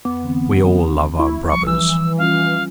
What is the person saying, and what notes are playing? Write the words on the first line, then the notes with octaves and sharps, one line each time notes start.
"We all love our brothers."
F2 B3 D6
D3 E3 C4
E4 C#6
F3 G3 C#6 C#7
E3 E6
G3 C#4 F4 F5